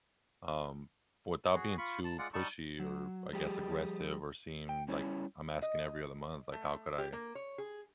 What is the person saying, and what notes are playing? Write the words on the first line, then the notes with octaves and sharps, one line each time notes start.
Um, without being too pushy or, I guess, aggressive or seem, like, I'm asking every other month, like, how could I
F#4 G#4
F4 B5 C#6
A5
G#3 F4 D5 F#5
G3 D#4 A5 C#6
F#3
F3 G3 G4 G#4
G5
G3 C#4 E4 C#5
D#5
A3
G4
A#3
C#5
G#4